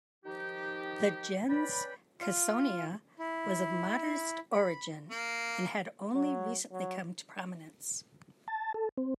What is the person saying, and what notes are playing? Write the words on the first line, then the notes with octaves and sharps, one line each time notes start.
The gens Caesonia was of modest origin, and had only recently come to prominence.
D#3 F3 D#4 G4
C#4 B4 D5 G5 B5
F4
E4
B5
A#3
F#3
F#3
A5
A4
C4